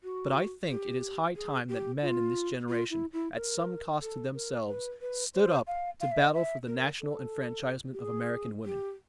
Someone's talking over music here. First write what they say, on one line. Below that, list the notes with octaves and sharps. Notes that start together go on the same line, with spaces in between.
But I think it is high time that men in this generation, at some cost to themselves, stood up to battle for the national enfranchisement of American women.
F#4
G4
G#4
G4
F4
F4
E4
E4
A#4
A4
A#4
B4
B4
C5
F5
F5
E5
D#5
E5
A#4
A4
G4
G#4
G4